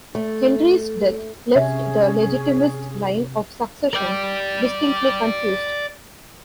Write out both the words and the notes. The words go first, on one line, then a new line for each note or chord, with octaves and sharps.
Henri's death left the Legitimist line of succession distinctly confused.
A3
C3 C#4 G#4 E5
D5 G5